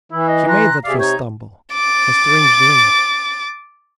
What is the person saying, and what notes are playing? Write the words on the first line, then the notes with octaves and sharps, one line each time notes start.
He made that first stumble, a strange dream.
E3 E4
D#5
A#5 C6 F#6
C3 G#4 D5 E5 F5
D#4 C#5 G6
D6 A6